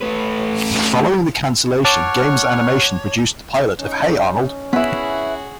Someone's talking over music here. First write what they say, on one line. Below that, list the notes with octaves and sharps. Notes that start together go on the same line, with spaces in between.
Following the cancellation, Games Animation produced the pilot of Hey Arnold!
A3 B4
C#5 F#5 A5 C#6 D6 F6
C#4 D#4
B3 E4 F#4 G#4 B4 E5